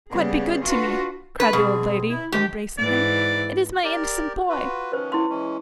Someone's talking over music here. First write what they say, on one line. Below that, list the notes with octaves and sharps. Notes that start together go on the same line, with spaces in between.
'God be good to me!' cried the old lady, embracing him; 'it is my innocent boy!'
C#3 G3 B3 G#4
D4 F4 F#4 B4
A3 B4
B2 G3 C4 G#4
E4
D#3 F3 G#3 G4
G#2 E3 D5
G4 A#4 D5
F4 F#4 B4
D#3 F3 C#4 B4 C5
E4 C6
E3 G#3 C#4